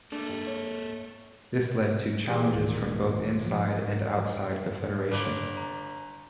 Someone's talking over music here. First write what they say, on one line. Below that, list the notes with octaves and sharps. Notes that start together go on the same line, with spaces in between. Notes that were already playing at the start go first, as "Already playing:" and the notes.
This led to challenges from both inside and outside the Federation.
A#3 D4 A4
G2
C#5
E3 G4 G#4
D1 A#2 D#3
F3
G1 D5 D6
A#5